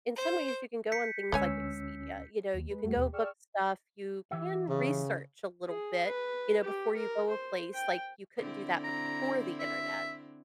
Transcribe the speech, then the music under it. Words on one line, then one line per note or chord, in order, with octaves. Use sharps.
in some ways, you can go on things like Expedia, you know, you can go book stuff, you can research a little bit, you know, before you go a place, like, you couldn't do that before the Internet;
C5
G6 B6 C#7
D2 G#3 C#4 B4 C#5 G#5 E6
D#2
G#3 B4
F2 G3 A3 F#4 A4
D#2 B2 G4
G#4 D5 G5 C#6 E6 F6
E3 G4 E5
C#3
G#4
B4
G4
A#4
C5
G5
D3 C4 E4
A#5
E5